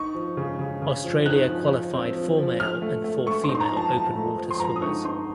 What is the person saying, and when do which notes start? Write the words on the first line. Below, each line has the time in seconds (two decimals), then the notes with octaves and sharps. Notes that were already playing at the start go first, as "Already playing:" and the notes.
Australia qualified four male and four female open water swimmers.
Already playing: D#4 C#6
0.15 F3
0.37 C#3
0.59 C#3
0.82 C#3
1.04 F3
1.26 D#4 F#6
1.48 F3
1.71 F3
1.94 C4
2.15 F3
2.38 F3
2.59 F3 F6
2.82 A3
3.04 A3
3.26 A3 C#6
3.44 C6
3.49 D#4
3.55 C6
3.60 A#5
3.72 F3
3.77 A5
3.93 F3 A5
4.15 A3
4.38 F3
4.51 C6
4.60 F3 A#5
4.76 D#6
4.82 D#4 C#6
5.05 D#4 C6